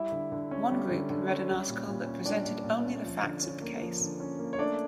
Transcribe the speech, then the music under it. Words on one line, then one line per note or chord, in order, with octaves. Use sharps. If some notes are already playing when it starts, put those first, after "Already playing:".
One group read an article that presented only the facts of the case.
Already playing: G3 E4 E5
D3
D3
C#4
G3
D3
D3
C#4
G3
A#2
A#2
C#4
G3 D4 D5
A#2
A#2
C#4
F3
D3
C#4
A#3
F3
D3
C#4
A#3
C#5
A3 D4 D5